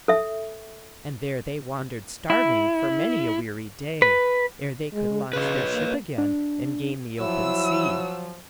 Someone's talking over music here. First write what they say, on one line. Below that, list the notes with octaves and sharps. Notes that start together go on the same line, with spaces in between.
And there they wandered starving for many a weary day, ere they could launch their ship again, and gain the open sea.
A4 E5
E4
B4
G#3
C#3 B4 C#5 D#5
A#3
D4
F3 F#3 E4 E6